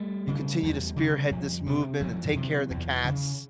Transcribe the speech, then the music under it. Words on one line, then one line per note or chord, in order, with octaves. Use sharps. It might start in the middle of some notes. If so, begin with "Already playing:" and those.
you continue to spearhead this movement and take care of the cats.
Already playing: G3 A3
C#3
E2
C#3
F2
C3
F2 E3 F#3
C3
E2
C#3